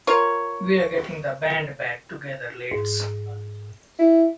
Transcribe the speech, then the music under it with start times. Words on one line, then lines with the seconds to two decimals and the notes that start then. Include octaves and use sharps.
We're getting the band back together lads!.
0.07 F4 A#4 C#5
2.72 G#2
3.99 E4